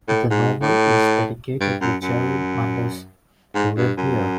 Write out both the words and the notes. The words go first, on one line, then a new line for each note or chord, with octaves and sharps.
The novel is dedicated to Jerry Mundis, who lived here.
A2
G#2
A2
G2
F#2
F#2
G#2
G2
F#2